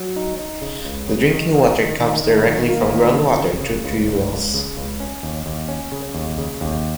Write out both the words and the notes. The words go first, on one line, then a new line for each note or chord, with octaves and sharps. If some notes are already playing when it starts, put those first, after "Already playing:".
The drinking water comes directly from groundwater through three wells.
Already playing: F#3
D#4
D#4
C#3
C#2
C#3
D#3
D#3
D#3
D#3
D#3
D#3
A#3
D#3
C#3
C#3
C#3
C#2
C#2
C#2
C#3
C#2
C#4
D#2
D#2
C#4
C#3
D#2
C#3
D#2